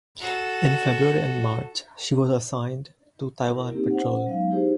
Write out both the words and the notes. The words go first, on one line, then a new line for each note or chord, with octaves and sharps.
In February and March, she was assigned to Taiwan patrol.
F#4 A4
E4 A#4
A#3 C4 D#4 G4
C#4 C5 F#5
F#3 G#3 B3 D#4 F5
D#4 E4 G4 G#4 C5